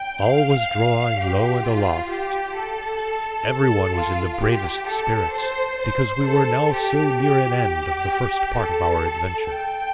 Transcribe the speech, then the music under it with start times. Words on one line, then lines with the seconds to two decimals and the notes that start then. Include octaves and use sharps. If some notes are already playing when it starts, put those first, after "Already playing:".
All was drawing alow and aloft; everyone was in the bravest spirits because we were now so near an end of the first part of our adventure.
Already playing: G5
0.25 F5
1.18 G4
1.64 F4
2.09 G4
2.56 A4
3.48 A4
3.94 F4
4.41 G4
4.87 A4
5.32 C5
5.79 C5
6.25 A4
6.71 G4
7.18 G4
7.64 G4
8.56 A4
9.48 G5